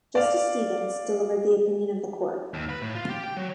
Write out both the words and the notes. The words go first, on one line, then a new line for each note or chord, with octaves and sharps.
Justice Stevens delivered the opinion of the Court.
D5 F5
D#2
B4
A2
F4
G4
G5
F#3